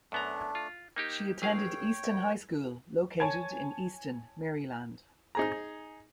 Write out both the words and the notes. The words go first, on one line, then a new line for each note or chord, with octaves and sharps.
She attended Easton High School, located in Easton, Maryland.
F#2 A3 B3 D4 A#5
F4
A#3 D#4 G4 G5
G1 G#4 C#5 F5 G5
C2
C#5 G#5 A5 G#6
D#4 G#4 A#5